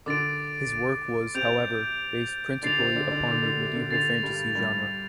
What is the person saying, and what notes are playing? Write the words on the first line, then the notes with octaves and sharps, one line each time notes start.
His work was, however, based principally upon the medieval fantasy genre.
D3 D4 D6 A6 D7
C3 C4 G6 D7 F7
D3 D4 A6 C7 F7
C3 C4
D3 D4
D3 D4
D3 D4
D3
C3
D3
D3 A6 C7 F7
G2 G3
G2 G3